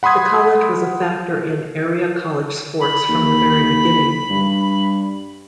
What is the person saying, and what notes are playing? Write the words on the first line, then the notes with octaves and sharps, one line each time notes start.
The college was a factor in area college sports from the very beginning.
F#5 B5 C6 D#6 G#6
B5
D#2
G2